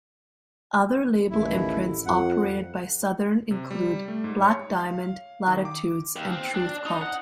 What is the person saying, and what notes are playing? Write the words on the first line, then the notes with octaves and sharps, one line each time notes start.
Other label imprints operated by Southern include Black Diamond, Latitudes and Truth Cult.
A1 D#2 E4
F2 F#5
C3
G3
A3
G#2
C#5
F5
D#3
D6
D#2
C4
D4
D#4
F#5